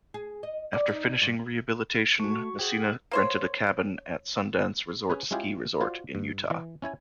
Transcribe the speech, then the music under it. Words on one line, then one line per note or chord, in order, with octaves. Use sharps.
After finishing rehabilitation, Messina rented a cabin at Sundance Resort Ski Resort in Utah.
G#4
D#5
D5
D#4
G2
A3 F#4 C#6
G4 G#4 C5 F#5 G#6
A#3 C5 C#5
C#4 G#4 B4
G#3 C#4 E4 F4 G4 G#4
F4 F#4 C5 D5
G2
E3
C#4 E4 C#5 G#5